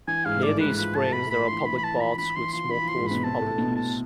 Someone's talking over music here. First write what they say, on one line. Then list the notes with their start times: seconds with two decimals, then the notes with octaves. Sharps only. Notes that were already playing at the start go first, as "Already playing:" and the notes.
Near these springs there are public baths with small pools for public use.
0.07 E3 G#5
0.25 G#2 G#3 F5
0.42 A2 A3 D5
0.60 G#2 G#3 B4
0.77 F3 B4
0.95 A2 A3 A5
1.13 B5
1.26 A2 A3
1.31 B5
1.39 F3
1.48 E3 C6
1.66 E3 B5
1.78 B5
1.84 A5
1.92 F3
2.01 B5
2.18 E3 B5
2.36 E3 C6
2.53 F3 C6
2.71 E3 B5
2.84 F3
2.89 C6
2.97 G#2 G#3
3.07 B2 B3 B5
3.24 C3 C4 A5
3.41 A2 A3
3.58 B2 B3
3.76 A5